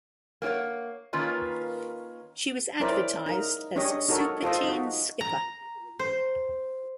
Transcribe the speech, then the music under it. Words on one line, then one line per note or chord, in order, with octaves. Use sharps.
She was advertised as "Super Teen Skipper".
A#3 C4 F4 C#5 F#5
D#3 A#3 C#4 F4 B4
C#4 E4 A#4 C5 D5 B5
D#4 A#4
C#4 D4 G4 C#5 D#5
D#4 F#4 A4 A#4 C#5
F4 A4 C5 D#5
D#4 F#4
A#5
C5